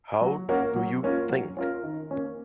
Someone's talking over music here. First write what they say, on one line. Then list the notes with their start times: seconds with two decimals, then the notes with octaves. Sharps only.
How do you think?
0.21 F#3
0.49 A#3 C#4 F#4 A#4
0.76 F#3
1.03 A#3 C#4 F4 A#4
1.29 F#3
1.57 C#4 F4 A#4
1.84 D#3
2.11 A#3 C#4